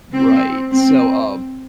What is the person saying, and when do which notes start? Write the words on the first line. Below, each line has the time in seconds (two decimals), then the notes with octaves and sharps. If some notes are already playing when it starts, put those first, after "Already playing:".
Right, so, um,
0.13 C4
0.71 C4